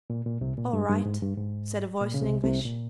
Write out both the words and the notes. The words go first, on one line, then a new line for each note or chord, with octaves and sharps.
"All right," said a voice in English.
A#2
A#2
C2 C3
A#2
G2
G2
G#2
G2
G#2
A#2
C#3
C2 C3
C2 C3
A#2